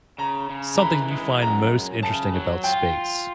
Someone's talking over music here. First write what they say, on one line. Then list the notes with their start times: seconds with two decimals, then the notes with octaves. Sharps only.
something you find most interesting about space?
0.18 C#3 A#5
0.50 C#3
0.76 A#5
0.80 E3 B5
1.11 G#3
1.41 F#2 A#5
1.72 F#2
2.03 C#3 A5
2.34 F#3
2.64 F4 G5